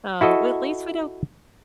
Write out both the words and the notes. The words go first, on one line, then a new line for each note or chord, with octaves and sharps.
Oh, at least we don't
E4 F#4 A4 D#5